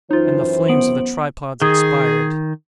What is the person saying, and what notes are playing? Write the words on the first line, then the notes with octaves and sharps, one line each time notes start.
And the flames of the tripods expired.
F#2 E3 D#4 F4 C5
B3 D7 F#7
D#3 G#4